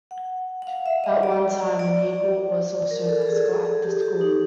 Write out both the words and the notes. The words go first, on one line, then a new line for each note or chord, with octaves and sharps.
At one time an eagle was also a mascot at the school.
F#5
F#5
F5
E5
D#5
D5
D5
A#4
A4
A4
G#4
A4
G#4
G4
G4
D#4